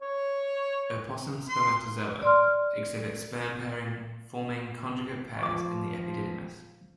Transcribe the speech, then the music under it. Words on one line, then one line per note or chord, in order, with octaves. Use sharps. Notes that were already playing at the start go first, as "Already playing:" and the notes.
Opossum spermatozoa exhibit sperm-pairing, forming conjugate pairs in the epididymis.
C#5
C6
D5 C6 F6
F3 C#6 D6